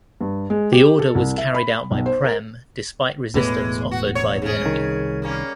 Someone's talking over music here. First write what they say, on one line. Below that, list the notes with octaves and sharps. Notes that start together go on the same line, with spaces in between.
The order was carried out by Prem despite resistance offered by the enemy.
G2
G#3
G4
A4
C2
E5
B5
B1
C5
A#4
E1 A2 E3 G#3 B3
F#4
F2 C#5
C#3 G#4
C2 D#3
G3 A#3 C#4